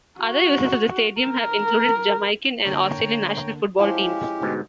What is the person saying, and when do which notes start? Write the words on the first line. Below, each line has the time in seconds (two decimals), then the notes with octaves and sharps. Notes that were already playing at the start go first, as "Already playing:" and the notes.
Other users of the stadium have included the Jamaican and Australian national football teams.
0.20 F#4
1.21 A#4
2.65 D3 A#3 C#5 G5 A#5
3.79 F3 G#3 C#4 E4 G4 C5
4.42 D2 G#2 B2